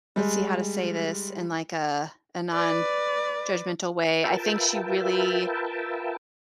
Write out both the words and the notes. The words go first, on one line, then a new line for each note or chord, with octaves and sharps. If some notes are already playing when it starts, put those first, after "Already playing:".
let's see how to say this in, like, a a nonjudgmental way. I think she really,
G3 G#3
B4 D5
F4 A#4 B4 E5 G5 A5